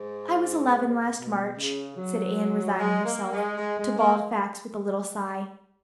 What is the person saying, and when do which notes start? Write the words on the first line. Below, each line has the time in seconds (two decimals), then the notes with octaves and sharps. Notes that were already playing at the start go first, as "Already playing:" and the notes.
"I was eleven last March," said Anne, resigning herself to bald facts with a little sigh.
Already playing: G#2
1.16 B2
1.57 C#3
1.97 F#3
2.77 G#3
3.04 A#3
3.31 G#3
3.58 G#3
3.78 G#3
3.98 A#3